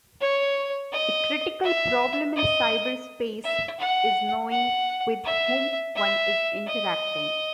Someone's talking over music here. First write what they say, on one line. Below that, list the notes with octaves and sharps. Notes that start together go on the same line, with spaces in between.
A critical problem in cyberspace is knowing with whom one is interacting.
C#5
D#5
E5
D#5
E5
F#5
F#5
E5
E5
D#5